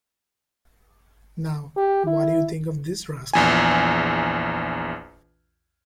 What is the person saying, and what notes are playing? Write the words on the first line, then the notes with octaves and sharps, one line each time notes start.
Now, what do you think of this rascal?
G4
E4
A#1 E2 G#5